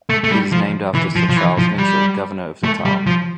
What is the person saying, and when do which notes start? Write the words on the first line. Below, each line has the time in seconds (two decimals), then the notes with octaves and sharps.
It is named after Sir Charles Mitchell, governor of Natal.
0.09 A3
0.24 A3
0.31 G3
0.52 F3
0.95 E3
1.16 F3
1.30 F3
1.37 E3
1.58 F3
1.79 G3
2.64 A3
2.85 G3
3.07 F3